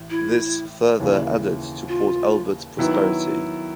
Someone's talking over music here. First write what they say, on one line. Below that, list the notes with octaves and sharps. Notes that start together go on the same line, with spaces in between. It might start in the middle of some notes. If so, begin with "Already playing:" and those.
This further added to Port Albert's prosperity.
Already playing: A1 A2
E4
D#2 C#3 E3
F4
D#3 F#3 B3 E4